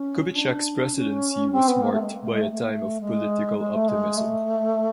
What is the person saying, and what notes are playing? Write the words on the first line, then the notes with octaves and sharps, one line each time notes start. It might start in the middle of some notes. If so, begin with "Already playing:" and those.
Kubitschek's presidency was marked by a time of political optimism.
Already playing: C#4
D4
C#4
C4
B3
A#3
A3
G#3
A3
G#3
A3
A3
A#3
A3
G#3
G#3
A3
G#3
A3